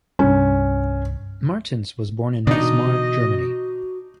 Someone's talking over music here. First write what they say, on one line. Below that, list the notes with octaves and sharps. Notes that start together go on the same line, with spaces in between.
Martens was born in Wismar, Germany.
C2 G2 C#4
B2 D3 E3 D4 D#4 F#4 D#5